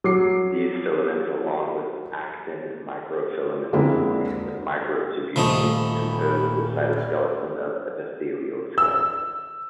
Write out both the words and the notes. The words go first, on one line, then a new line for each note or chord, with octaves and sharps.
These filaments, along with actin microfilaments and microtubules, compose the cytoskeleton of epithelial cells.
F#3 D6 C7
F2 D3 G#3 A#3 C4 E4
D#1 F3 A3 D#5 B5
E6